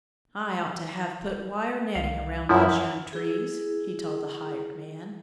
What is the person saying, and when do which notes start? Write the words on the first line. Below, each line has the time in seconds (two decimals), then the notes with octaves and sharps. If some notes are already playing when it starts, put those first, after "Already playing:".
"I ought to have put wire netting around those young trees," he told the hired man.
1.95 C2 F5
2.49 F#2 F3 E4
3.13 E4 G#4